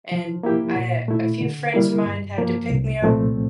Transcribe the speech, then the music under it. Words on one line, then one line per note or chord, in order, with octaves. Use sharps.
and I uh a few friends of mine had to pick me up,
F3
A#3 E4 G4
A#2
A3 E4
D3
G3 A#3 E4 A#4
G2
F3 A#3
C2
A#2 F3 A3 C4